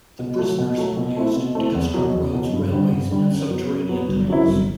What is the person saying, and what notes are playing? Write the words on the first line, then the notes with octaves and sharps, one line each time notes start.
The prisoners were used to construct roads, railways and subterranean tunnels.
B2
F#3 A3
B2
F#3 A3
B2
A3 C4 E4
B2
A3 C4 E4
E2
B2 F#3
E2
B2 F#3
G2
D3 G3
G2
D3 G3
F#2
F#3 B3
F#2
F#3 B3
G1
F#2 F#3 C4 E4
G1